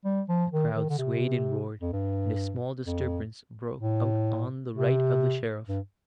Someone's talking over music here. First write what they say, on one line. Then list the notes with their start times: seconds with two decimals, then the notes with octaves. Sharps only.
The crowd swayed and roared, and a small disturbance broke out on the right of the Sheriff.
0.05 G3
0.29 F3
0.52 D#3
0.75 D#3
0.90 D3
0.98 C3
1.82 F2
1.93 G2
2.87 F2
3.80 A2
4.74 C3
5.69 G2